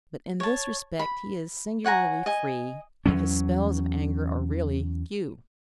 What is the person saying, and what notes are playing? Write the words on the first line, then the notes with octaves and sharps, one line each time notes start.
But in this respect he is singularly free, and his spells of anger are really few.
C#5 A5
B5
C#5 F#5 G#5 A#5
D#5 G#5
E2 F#3 C#4